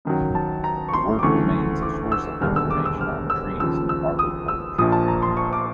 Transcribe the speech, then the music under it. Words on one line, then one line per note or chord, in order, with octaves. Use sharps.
The work remains a source of information on trees and arboriculture.
F#2 D#3 F#3
A5
A#5
C#6
C6
D6
D2 C#3 E3 A3 C#6
D6
E6
E1 D#2 D3 G3 F6
E6
D6
E6
F6
E6
D#2 C#3 F3 E6
E6
D#6
E6
A#1 A#2 F3 D#6
A5
A#5
C6
C#6
D6